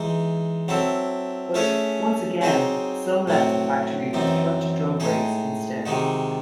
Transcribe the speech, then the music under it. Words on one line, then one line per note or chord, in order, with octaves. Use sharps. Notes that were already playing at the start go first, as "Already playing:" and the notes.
But, once again, some left the factory with front drum brakes instead.
Already playing: E3 G#3 D#4
F#3 C4 E4 A4
A3 C#4 E4 G#4 C#5
F#3 C4 D#4 G#4 C5
A2 F#3 C4 F#4
F#2 E3 C4 D#4
A2 G#3 D#4 G#4
C3 D#3 G#3 D#4 F#4